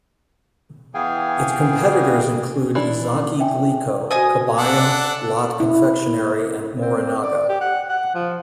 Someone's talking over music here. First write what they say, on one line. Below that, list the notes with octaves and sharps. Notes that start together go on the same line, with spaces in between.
Its competitors include Ezaki Glico, Kabaya, Lotte Confectionery and Morinaga.
E3 B3 G#4 F5 G5 G#5
E3 D4
E5 G5 G#5
F#4 C5 D#5 G#5 D#6
D4 A4 F#5
E4
C4
D5
G4
F#5
F#5
F3